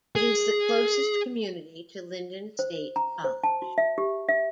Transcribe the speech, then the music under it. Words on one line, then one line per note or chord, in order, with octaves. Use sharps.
It is the closest community to Lyndon State College.
G#4
C5
A#5
C5
A5
F#4
E5
G4
E5